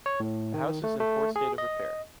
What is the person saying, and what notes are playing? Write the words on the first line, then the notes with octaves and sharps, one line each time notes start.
The house is in poor state of repair.
C#5
A2
D#3
A3
A3
G#4
D#5